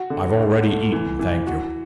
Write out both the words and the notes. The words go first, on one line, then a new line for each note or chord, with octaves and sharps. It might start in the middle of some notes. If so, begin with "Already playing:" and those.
"I've already eaten, thank you."
Already playing: F#4
D3
D2
A3
E3
E3
F#4